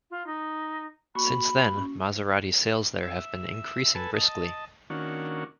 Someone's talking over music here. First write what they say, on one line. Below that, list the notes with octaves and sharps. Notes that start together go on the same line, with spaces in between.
Since then, Maserati sales there have been increasing briskly.
F4
D#4
A#3 F#4 B5 C#6
C#4
E5
A4 B4 G#5 A5
D#5 A5
D#3 A#3 C#4 D4 F#4